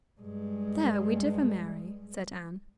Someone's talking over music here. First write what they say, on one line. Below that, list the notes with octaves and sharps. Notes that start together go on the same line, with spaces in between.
"There we differ, Mary," said Anne.
G2 G#3